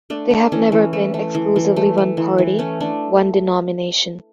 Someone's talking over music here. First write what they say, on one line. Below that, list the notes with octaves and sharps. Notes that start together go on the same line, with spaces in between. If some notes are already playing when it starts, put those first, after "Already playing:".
They have never been exclusively one party, one denomination.
A3 D4
A3
E3 C#4
E3
A3
A3
E3
E3
A3
A3
E3
E3
A3 C#4
A3 D4